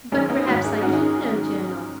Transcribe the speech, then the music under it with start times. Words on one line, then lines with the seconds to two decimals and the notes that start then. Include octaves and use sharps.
"But, perhaps, I keep no journal."
0.12 F#2 D#3 G#3 C#4
0.29 B3 D#4
0.46 D#3 C#4 F#4
0.50 G#2
0.64 D#4 G#4
0.81 G#2 C#4 F#4
0.86 D#3
0.93 D#4 G#4